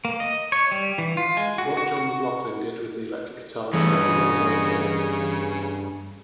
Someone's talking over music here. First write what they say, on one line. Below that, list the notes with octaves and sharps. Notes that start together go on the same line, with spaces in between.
What John McLaughlin did with the electric guitar set the world on its ear.
A#3
D#5
C#5
G3
E3
F4
G#3
F#4
F#4
F#4
G2 C#3 E3 A3 D#5